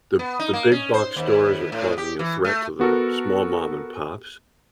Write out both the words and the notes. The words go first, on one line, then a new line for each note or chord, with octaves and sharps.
The the big box stores are causing a threat to the small mom-and-pops,
B3
D#4
A#3
C#4
C5
D#2
A2
G4
E3
A3
B3 F#4 A4 A#4